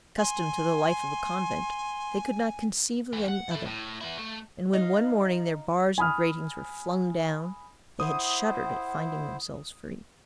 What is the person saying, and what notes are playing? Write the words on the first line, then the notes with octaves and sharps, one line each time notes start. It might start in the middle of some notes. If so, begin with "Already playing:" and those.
Accustomed to the life of a convent, they could not conceive of any other; and when one morning their bars and gratings were flung down, they had shuddered at finding themselves free.
G#5 C6
E3 B3
F#5
E4 A4
A2
B3 E4
A3
D#4 F5
G#5 B5 D#6 F6
E4 C5 F#5 D#6